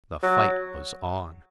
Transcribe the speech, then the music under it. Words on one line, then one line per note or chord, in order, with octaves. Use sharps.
The fight was on!
F#3